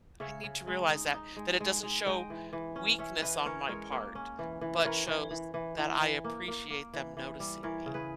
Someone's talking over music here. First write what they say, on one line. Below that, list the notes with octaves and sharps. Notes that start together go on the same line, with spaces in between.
I need to realize that that it doesn't show weakness on my part, but shows that I appreciate them noticing me.
C#3 C#5 E5
C#3
G#3
D#4
D#4
G#3
G#3
G#3
G#3 D#5 G5
E3
E3
C#4
C#4 C#5 E5
E3 B4 D#5
C#4 A#4 C#5
G#3 A#4 C#5
A#3
C#4
E3
E3
B4
E3 A#4 C#5
E3
E3
E3
E3
E3
A#3
A#3
A#3
E3
E3
G3
E3 A#4 C#5
C#3
G#4 B4